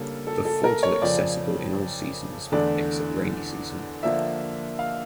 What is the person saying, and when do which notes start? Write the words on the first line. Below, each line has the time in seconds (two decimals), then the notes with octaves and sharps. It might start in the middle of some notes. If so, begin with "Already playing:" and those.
The fort is accessible in all seasons except rainy season.
Already playing: C#3 G3 A#3 D4 A4
0.27 A4
0.45 A4
0.64 A#4
0.83 C#5
1.02 F2 C#3 F3 D5
2.52 E2 D3 A3 D4 D5
4.03 D3 F3 A#3 D4 E5
4.79 F5